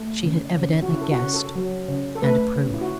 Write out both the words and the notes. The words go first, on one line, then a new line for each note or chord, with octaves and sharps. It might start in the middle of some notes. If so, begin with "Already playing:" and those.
She had evidently guessed and approved.
Already playing: A3
C#3
C#3
F#4
C#3 E4
A4
F#4
C#3
A4
F#3
C#3
A4
A3 B4
C#3
E4
F#4